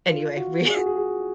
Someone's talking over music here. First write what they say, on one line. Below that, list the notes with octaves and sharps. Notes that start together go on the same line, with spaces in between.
Anyway, we
F4
F#4
G#4
F#4
G#4
G#4